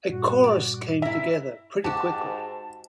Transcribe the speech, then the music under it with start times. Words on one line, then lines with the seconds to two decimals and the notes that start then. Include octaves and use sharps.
A chorus came together pretty quickly.
0.09 G2 A#2 G3 F#4
0.44 D5
1.02 E4 A#4 E5
1.84 G#2 F#4 G4 A5